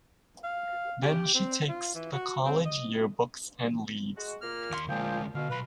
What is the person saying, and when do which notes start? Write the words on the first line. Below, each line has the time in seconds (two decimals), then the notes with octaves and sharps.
Then she takes the college yearbooks and leaves.
0.44 F5
1.02 G4
1.35 C4
1.69 F4
1.95 E3
2.13 F#4
2.45 C4
2.65 D#5
4.16 G#3 F#4
4.41 A#2 A#3 F6
4.71 D#2 C6
4.88 D2 A#2 F3 G#3 F4 G5
5.35 B2 D3 F5
5.50 B1 B4 B5